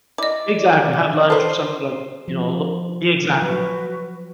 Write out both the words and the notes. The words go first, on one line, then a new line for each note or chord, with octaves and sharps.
Exactly, have lunch, something like, you know, lo Exactly.
E4 D5 D#5 D6
A4 B4 C5
F3
F#3 F#4 B4